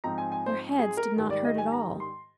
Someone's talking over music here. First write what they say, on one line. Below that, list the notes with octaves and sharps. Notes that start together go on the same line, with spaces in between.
Their heads did not hurt at all.
G#2 F3 C4 D#4 A#5
G#5
G#5
C5
G#4
A#4
G#2 D#3 G3
D5
D#5
G#5
A#5
C6